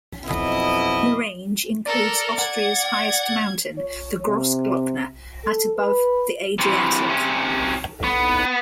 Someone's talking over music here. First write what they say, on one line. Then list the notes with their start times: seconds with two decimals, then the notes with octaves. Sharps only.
The range includes Austria's highest mountain, the Grossglockner at above the Adriatic.
0.24 F2 B2 F#3 E4 D#5
1.86 A4 A#4 D5
2.39 F#5 G#6
3.77 C#5
4.28 C3
5.44 A4
5.77 B4
6.59 C3 E3
7.09 C3 C#4
8.04 B3